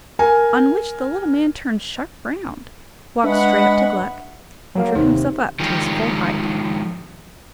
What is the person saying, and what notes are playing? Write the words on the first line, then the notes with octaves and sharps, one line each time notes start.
On which the little man turned sharp round, walked straight up to Gluck, and drew himself up to his full height.
A#4 G#5
G#3 D4 B4 E5 F#5 B5 C#6
F#3 A#3 F5
D#2 C3 D#4
D#3 F3 G#3 G4